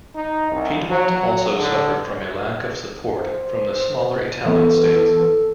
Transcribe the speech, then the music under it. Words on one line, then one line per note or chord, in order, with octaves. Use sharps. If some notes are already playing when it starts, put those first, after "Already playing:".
Piedmont also suffered from a lack of support from the smaller Italian states.
D#4
C2
F#3
F#3
D3
C5
E3 B3 A4